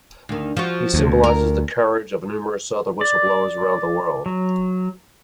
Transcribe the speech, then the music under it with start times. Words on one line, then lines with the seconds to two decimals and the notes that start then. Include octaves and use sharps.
He symbolizes the courage of numerous other whistleblowers around the world.
0.29 D2 D#3
0.57 F3 F#4
0.94 D2
1.24 A#4
3.01 D5
4.26 F#3